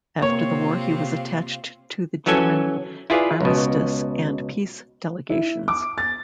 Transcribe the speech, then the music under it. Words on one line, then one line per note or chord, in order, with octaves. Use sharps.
After the war he was attached to the German Armistice and Peace delegations.
C3 A#3 C4 F4 C#5
E3 F#3 C#4 A4 G#5
E4 F4 G#4 B4 D5 F5
C#2 B2
E4
D6
A6